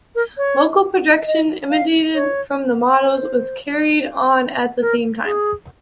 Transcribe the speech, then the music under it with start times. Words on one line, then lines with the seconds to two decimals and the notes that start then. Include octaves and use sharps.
Local production, imitated from the models, was carried on at the same time.
0.15 A#4
0.37 C#5
1.27 D#5
1.70 F5
2.15 C#5
3.04 C5
4.81 A#4
5.25 G#4